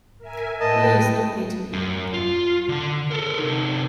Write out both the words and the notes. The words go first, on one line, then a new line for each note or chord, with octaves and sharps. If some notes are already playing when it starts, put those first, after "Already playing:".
Please, don't hit me.
A#4 E5 G#5
A2 B4 D#5 G5 A5
F#2
F4
D3 F#5
A4 A#4
C3 D#4